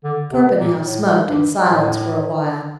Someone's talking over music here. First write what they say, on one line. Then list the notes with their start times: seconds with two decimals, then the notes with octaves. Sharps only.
Torpenhow smoked in silence for a while.
0.04 D3
0.32 C3
0.59 A#2
0.85 A2
1.27 G2
1.67 A2